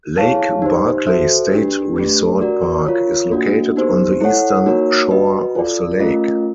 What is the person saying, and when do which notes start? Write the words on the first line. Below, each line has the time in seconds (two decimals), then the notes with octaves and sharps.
Lake Barkley State Resort Park is located on the eastern shore of the lake.
0.17 E4 G#4 C#5 F5 A5
0.62 D#4 G4 C5
1.07 F#4 A4 C5 E5
1.52 D4 G4 B4
1.96 A3 D4 G4 B4
2.41 F#4 A#4 D5
2.86 F4 A#4 C#5
3.31 A#3 D4 F#4
3.76 B3 D#4 G4 C5
4.21 E4 A4 C#5 F#5
4.66 A#3 D#4 F#4 A#4 C#5
5.11 F#4 B4 D#5
5.55 F4 A4 D5
6.00 A3 C#4 F4 A#4 D#5